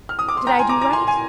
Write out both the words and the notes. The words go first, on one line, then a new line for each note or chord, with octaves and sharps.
Did I do right?
F6
D#6
D6
C6
G5 A#5
G#5 C6
A#5 D6
A#5 D6
G#5 C6
G#5 C6